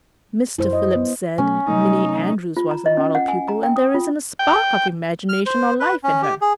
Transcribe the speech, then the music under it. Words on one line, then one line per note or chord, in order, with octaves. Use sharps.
Mr. Phillips said Minnie Andrews was a model pupil and there isn't a spark of imagination or life in her.
F#2 F#3 E4 C5
D#5
B3
B2 F#3 A3 C#4
C3 F#3 A3 D#4
F4
A#5
D#5
C#4
F#5
G#5
A#5
G5
D#6
F4
G5
F6
C5
B4
C#4
G4
G#4